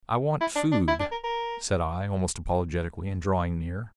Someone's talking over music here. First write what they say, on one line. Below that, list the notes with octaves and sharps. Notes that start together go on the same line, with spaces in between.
"I want food," said I, almost apologetically, and drawing near.
E4
D4
D4
E4
D4
A#4
A#4